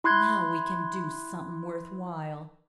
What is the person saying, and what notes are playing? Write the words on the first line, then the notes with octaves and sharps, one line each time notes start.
"Now we can do somethin' worthwhile."
E4 C6 F#6 G#6